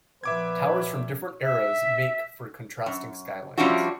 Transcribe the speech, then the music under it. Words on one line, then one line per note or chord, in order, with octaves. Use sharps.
Towers from different eras make for contrasting skylines.
A#2 F3 B3 B4 E5 D6 G#6
E5
F#2
F3 G3 C#4 D4 E4 F#4